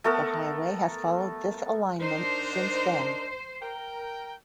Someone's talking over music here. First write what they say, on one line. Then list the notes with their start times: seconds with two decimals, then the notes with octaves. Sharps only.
The highway has followed this alignment since then.
0.04 A3 B3 A4 A#4
2.01 D4 D#4 A#4 C5
3.62 A#4 G5